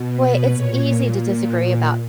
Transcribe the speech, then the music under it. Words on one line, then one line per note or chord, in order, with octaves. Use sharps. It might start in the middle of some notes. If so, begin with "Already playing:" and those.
boy, it's easy to disagree about
Already playing: B2
B4
A#2 C#5